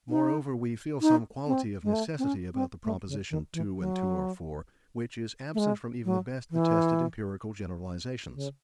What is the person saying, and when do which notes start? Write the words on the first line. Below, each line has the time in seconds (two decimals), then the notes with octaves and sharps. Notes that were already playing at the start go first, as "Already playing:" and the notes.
Moreover, we feel some quality of necessity about the proposition 'two and two are four', which is absent from even the best attested empirical generalizations.
0.10 D#4
1.02 D#4
1.47 C4
1.83 G#3
1.93 A3
2.19 C4
2.24 C#4
2.54 C4
2.84 A3
3.08 C#3
3.31 D#3
3.54 E3
3.77 F#3
5.54 A3
5.59 G#3
6.05 F#3
6.51 E3
8.34 C#3